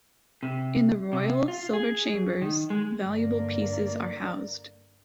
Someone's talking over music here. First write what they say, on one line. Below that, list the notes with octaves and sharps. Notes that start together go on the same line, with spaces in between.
In the Royal Silver Chambers, valuable pieces are housed.
C3
C3
F4
G#4
F#2
D#3
G#3
G2 D3 A#3 A#4 D5